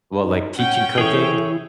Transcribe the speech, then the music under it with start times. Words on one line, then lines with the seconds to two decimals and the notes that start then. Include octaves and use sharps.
well, like teaching cooking,
0.22 D#4
0.57 C#4 F#5 G5
0.98 E3 E4 G#4 A4 C#5